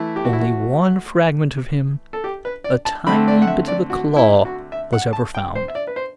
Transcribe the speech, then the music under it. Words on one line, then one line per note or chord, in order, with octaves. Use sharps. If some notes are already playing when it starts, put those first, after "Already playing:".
Only one fragment of him, a tiny bit of a claw, was ever found.
Already playing: E3 A3 E4
G4
F#4
E4
F#4
A4
G4
B4
D5
A5
D3 A3 C4 B5
D5
F#5
E5
D5
F#4
E4
F#4
E5
F#5
A5
G5
C5
E5
D5
B4
C5